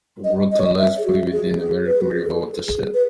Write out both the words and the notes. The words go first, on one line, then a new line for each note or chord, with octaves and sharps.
Groton lies fully within the Merrimack River watershed.
D#5
D#5
C#5
D#5
E5
G#4
F#4
G#4
G#4
B4
F#4
G#4
A4
G#4
B4